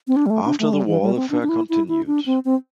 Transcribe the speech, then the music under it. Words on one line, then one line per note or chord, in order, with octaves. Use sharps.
After the war, the fair continued.
C4
D4
G3
A3
D4
A3
G3
E3
G3
C4
D4
D4
E4
E4
E4
D4
C4
C4